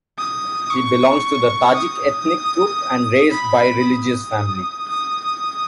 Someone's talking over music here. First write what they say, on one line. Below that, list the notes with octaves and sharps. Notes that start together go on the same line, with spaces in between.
He belongs to the Tajik ethnic group and raised by religious family.
D#6
C#6
D#6
B5
D#6
D#6